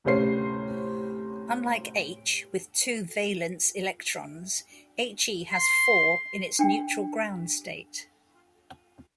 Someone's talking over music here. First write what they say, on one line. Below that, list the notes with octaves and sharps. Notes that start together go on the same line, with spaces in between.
Unlike H, with two valence electrons, He has four in its neutral ground state.
D2 A2 C3 C#4 C5 C7
C6
D4 G5